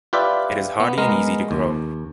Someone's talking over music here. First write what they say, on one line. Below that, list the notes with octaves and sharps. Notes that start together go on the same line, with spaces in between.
It is hardy and easy to grow.
F4 G4 B4 D5 E5
B3
G#3 B3 A#4
D#2